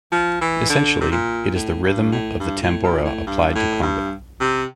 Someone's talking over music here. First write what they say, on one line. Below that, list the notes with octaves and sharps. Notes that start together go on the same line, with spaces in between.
Essentially, it is the rhythm of the tambora applied to conga.
F3
E3
D3
C3
A#2
A2
G2
A2
G2
A2
A#2
A2
G2
A2
G2
C3